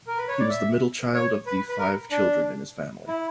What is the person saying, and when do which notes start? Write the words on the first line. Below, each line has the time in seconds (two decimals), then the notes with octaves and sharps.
He was the middle child of the five children in his family.
0.07 A#4
0.18 B4
0.28 C#5
0.40 D5
0.49 E5
1.14 C#5
1.47 B4
1.69 B4
1.79 A#4
2.11 D4
3.08 E4